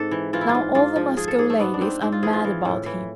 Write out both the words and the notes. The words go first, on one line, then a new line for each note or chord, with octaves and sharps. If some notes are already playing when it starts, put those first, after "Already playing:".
Now all the Moscow ladies are mad about him!
Already playing: G#2 C4 A4
E3
E3 F4
E4
F4
G#2
G#2 F4
F3
F3 G#4
A4
G#2 G#4
A3
G#2 B3
D4
G#2 C4
G#2 C4
F4
E3 G#4
F4
E3
A2
E3